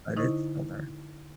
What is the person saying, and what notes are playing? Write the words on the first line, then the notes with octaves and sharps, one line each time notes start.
but it's still there.
D3 D#4 E4 C5 D#5 C#6